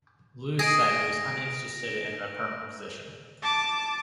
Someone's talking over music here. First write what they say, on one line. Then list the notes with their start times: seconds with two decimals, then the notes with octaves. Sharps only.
Lewis said he was uninterested in the permanent position.
0.59 G#4 A#6 D7
3.42 A5 D6